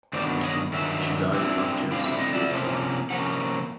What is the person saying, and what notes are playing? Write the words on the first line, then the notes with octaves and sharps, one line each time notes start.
She died of lung cancer before trial.
G2 D#3 F#3 B3 C5 D5
C#5 D#5
G2 D#3 F#3 E5
D3 G3 C4 E4
D3 G3 C4 E4 F5
E5
D#5
D5 E5
C3 F3 A#3 C#4
C3 F3 A#3 C#4 F#5